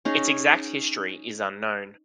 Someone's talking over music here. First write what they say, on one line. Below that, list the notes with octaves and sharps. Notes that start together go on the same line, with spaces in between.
Its exact history is unknown.
C#4 D#4 G#4